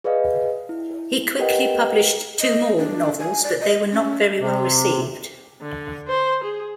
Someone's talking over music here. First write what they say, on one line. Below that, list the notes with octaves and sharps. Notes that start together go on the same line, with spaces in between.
He quickly published two more novels, but they were not very well received.
G#4 B4 D5 D#5 F5
E4
G4 A#4 B4 D#5 F#5 G5
D#5
D4
G#5
D5
D#5
C#4
C3
D3
C5
G#4